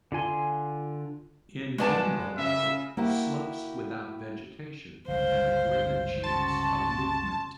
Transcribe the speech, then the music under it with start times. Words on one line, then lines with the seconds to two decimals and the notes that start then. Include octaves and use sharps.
In general, though, slopes without vegetation have a greater chance of movement.
0.12 D3 F4 G#5 C6
1.78 G2 G#3 B3 D5 A5
2.38 C#3 E5
2.97 A#3 E4 F#4 G4
5.08 G1 C#2 B2 C5 F5
6.24 C#3 F#4 A5 C6